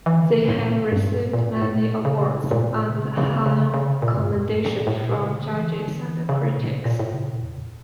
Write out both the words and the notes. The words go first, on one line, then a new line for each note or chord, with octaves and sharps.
They have received many awards, and high commendations from judges and critics.
E3
D3
C#3
A2
A#2
G2
A#2
A#2
A2
A2
A#2
C#3
A#2
A2
C#3
C#3
C#3
C#3
A#2
G2
F2
G2
A2
A#2
A2
A#2
C#3
D3
E3
D3
E3
C#3
A#2
A#2
A2
C#3
A#2
E2